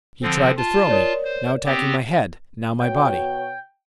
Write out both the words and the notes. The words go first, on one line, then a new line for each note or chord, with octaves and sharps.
He tried to throw me, now attacking my head, now my body.
D3 F3 C4
F4 A5
A#4 C#5 D5
C5
B3 C4 G4
B2 F#4 C#5 G5